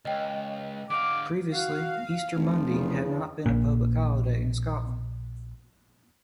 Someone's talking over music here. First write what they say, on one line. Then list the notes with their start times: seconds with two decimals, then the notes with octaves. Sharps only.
Previously Easter Monday had not been a public holiday in Scotland.
0.05 C#2 D#5 G5
0.90 D3 F5 D6
1.52 F#4 F5
2.36 F1 F3
2.67 E2 C#3
3.46 A#1 A#2